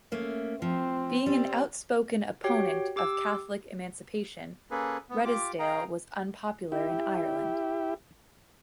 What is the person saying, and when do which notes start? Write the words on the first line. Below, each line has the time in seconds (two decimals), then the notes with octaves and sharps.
Being an outspoken opponent of Catholic Emancipation, Redesdale was unpopular in Ireland.
0.12 A3 A#3 C#4
0.62 F3 C4
1.26 G3 C4
2.44 F#4 G4 C#5 G5
2.96 G4 D6 E6
4.71 A#3 C#4 G#4 A4 B4
5.10 B3
5.24 F4 G4 D6
5.59 G#4 D#5 F5 G5 A#5
6.72 E4 G4